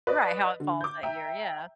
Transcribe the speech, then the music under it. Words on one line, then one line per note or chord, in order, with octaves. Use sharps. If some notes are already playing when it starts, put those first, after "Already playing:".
Right, how it falls that year, yeah.
B4 D5 D#5
D3
D6 G6
E5 G5 A#5